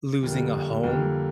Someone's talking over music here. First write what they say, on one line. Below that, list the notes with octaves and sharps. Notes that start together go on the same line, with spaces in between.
losing a home.
F2 D3 G3 A#3
F2 D3 G3 A#3